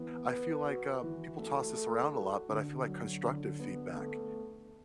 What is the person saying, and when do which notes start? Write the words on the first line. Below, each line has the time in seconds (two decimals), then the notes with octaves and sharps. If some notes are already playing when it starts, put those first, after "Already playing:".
I feel like, uh, people toss this around a lot, but I feel like constructive feedback
Already playing: E3 B3
0.30 B4
0.66 F#4
1.03 E3
1.39 A3
1.76 A4
2.13 F#4
2.49 D3
2.86 F#3
3.23 D3
3.60 B3
3.96 A3